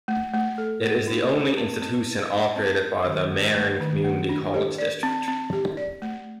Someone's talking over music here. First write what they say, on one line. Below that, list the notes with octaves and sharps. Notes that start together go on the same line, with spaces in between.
It is the only institution operated by the Marin Community College District.
A3
A3
A4
A3
D#4
A3
C4
C4
C4
D#4
C4
A#4
D#3
A3
A3
D#3
A3
D4
G4
D5
C4
C4
G4
D5
A3